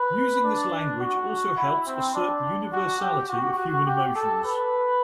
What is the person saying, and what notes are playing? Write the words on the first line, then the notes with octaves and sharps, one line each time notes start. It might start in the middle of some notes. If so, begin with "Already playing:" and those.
Using this language also helps assert the universality of human emotions.
Already playing: B4
D4
F#4
E4
C4
D4
F#4
G4
F#4
F#4
G4
A4
B4